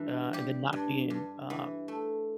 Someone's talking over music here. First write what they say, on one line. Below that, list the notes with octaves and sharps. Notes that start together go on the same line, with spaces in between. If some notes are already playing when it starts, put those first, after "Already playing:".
uh, and then not being, uh
Already playing: G2 E3
G3 G4
G2
G2
E3
A3